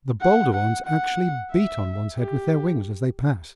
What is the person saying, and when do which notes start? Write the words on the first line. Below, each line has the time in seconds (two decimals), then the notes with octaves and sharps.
The bolder ones actually beat on one's head with their wings as they pass.
0.21 F#5
0.54 F#5
0.86 F#5
1.52 E5
2.18 G4